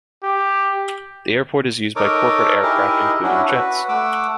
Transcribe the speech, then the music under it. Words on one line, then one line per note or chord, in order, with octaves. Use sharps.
The airport is used by corporate aircraft including jets.
G4
D#4 A4 A#4 C#5 D6
D#4 E4 G4 G#4 A#4 D#5
C#4 D4 E4 F#4
F#4 B4
A3 F#5 D6 E6